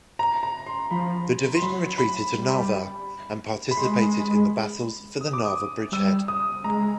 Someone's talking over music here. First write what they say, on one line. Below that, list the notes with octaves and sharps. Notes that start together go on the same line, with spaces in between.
The division retreated to Narva and participated in the battles for the Narva bridgehead.
A#5
A#5
C6
F3 B5
C6
F#3 B5
B5
G3
B5
G#3 C6
D#6
D6
D#6
G3 E6
D#6
G#3 A#5